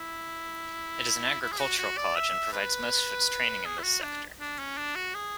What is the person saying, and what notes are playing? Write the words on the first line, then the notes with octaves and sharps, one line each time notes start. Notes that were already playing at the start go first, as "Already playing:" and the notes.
It is an agricultural college and provides most of its training in this sector.
Already playing: E4
E4
G#4
F#4
F#4
D5
E5
B4
G#4
E4
F#4
D4
D4
C#4
D4
F#4
G#4